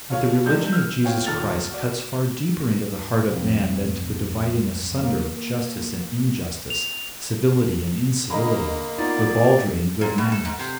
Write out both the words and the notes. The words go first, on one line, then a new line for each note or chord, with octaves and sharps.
But the religion of Jesus Christ cuts far deeper into the heart of man than to the dividing asunder of justice and injustice, civility and incivility, ribaldry and good manners.
F4 A4 C#5 F5
C#2 G3 A4 G6
E6 F6
B3 F4 C#5 G5
D#1 D#2 A4 F6 A6 F7
F#4 D5
B1 F2
A#3
F7
D3 A#3 G#4 D#5 A#5 B5
B3 D#4 F4 D5
A#2
B2
A4
G#2
C3